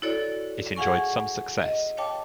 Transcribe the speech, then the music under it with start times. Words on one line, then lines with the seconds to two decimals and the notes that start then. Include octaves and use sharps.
It enjoyed some success.
0.02 E4 F#4 A4 C#5 D5
0.76 G#4 F5 F#5 G#5 C#6
1.62 D#5
1.97 C#5 F5 G5 A5 D6